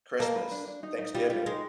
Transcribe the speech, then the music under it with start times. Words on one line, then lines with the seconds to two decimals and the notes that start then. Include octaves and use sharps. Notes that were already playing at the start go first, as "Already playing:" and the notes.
Christmas, Thanksgiving,
0.20 A#3 A5
0.36 B4
0.51 D4
0.67 D4
0.83 D#4
0.99 D#4
1.14 G3 F4
1.30 G3 F4
1.46 G#3 D#4